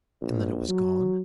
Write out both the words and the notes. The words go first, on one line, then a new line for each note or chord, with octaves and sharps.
'And then it was gone?'
A#1
F#3